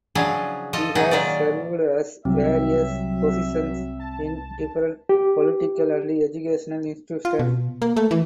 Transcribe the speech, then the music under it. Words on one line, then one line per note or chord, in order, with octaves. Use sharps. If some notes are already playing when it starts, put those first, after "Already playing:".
He has served as various positions in different political and educational institutions.
C#3 F3 F#3 D4 E4 G#4
F3 F4 A4 D#5
C3 F#3 D#4 G#4 D#5 F#5
A#2 D#3 F#3 F4 D5
C2 F#3 C4 E5
A5
G4
F4
B2
A#3
A3
E3